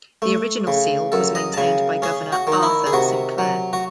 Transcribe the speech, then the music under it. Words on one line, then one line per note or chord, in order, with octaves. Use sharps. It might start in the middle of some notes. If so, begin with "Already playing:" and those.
The original seal was maintained by Governor Arthur Saint Clair.
A3
C#3
F#2 A4
D#5
A5
C#3 G#5
C#4 G#4
F#4
D#3 D#4
E4
G#4
C3 F#4
F#3
F#4